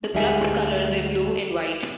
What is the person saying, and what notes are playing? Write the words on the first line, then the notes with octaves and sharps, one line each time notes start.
The club's colors were blue and white.
D2 G3 G#3 D#4 E5 G#5